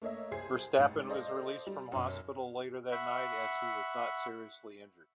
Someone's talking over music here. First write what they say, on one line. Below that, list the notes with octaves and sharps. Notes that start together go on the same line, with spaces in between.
Verstappen was released from hospital later that night as he was not seriously injured.
A3 A#3 C#5 D#5 E5
C2 G#4 C5 G#6 C7
A1 G#2
A4 C5 D5 D#5 F5
G3
B1 F#2
E5 F#5 B5 C#6